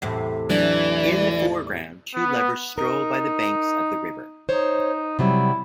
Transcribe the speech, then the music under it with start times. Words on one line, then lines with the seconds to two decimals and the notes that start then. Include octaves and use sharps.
In the foreground, two lovers stroll by the banks of the river.
0.02 E2 A2 C3
0.50 E3 F#3 A3 D4 D5
2.15 B3
2.78 D#4 A#4
4.49 D#4 C5 C#5
5.19 C3 F#3 G3 E4